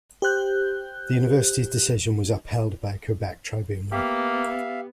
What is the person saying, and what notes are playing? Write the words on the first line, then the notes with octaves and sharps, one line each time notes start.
The university's decision was upheld by a Quebec tribunal.
G4 C5 F#6 G6
A#3 B3 G4 E5 F5